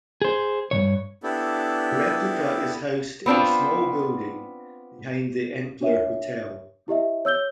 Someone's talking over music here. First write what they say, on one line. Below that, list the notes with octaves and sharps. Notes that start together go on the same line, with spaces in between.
The replica is housed in a small building behind the Entler Hotel.
G#4 C5
G2 C3 C#5
B3 D4 E4 G4 A4
B3 C4 D4 F4
D4 C#5 E5
E4 G4 D#5 E5
C#5 E6 G6 G7